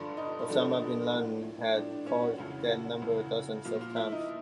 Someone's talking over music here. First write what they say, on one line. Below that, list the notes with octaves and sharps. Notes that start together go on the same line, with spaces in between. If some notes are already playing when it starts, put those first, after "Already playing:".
Osama bin Laden had called that number dozens of times.
Already playing: G2 D3 F3 D4
D#4
G2 D3 F3 D4
A2 F3
A2 F3 D4
D4
C#4
F#4
F2 C#3 E3 F4
F#4
F2 C#3 E3
A#2 F3 F4
F4
E4
D#4